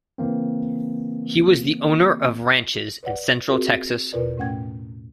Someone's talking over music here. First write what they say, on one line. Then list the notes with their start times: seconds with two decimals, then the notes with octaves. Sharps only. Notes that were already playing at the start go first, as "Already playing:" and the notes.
He was the owner of ranches in Central Texas.
0.18 C#3 E3 A#3 C4
3.03 B4 C#5 D5 F#5
3.48 C4 F4 F#4 G#4 A#4
4.13 E2 B2 F4 A#4 B4 D5
4.38 A2 A3 C#4 F#5 G5 G#6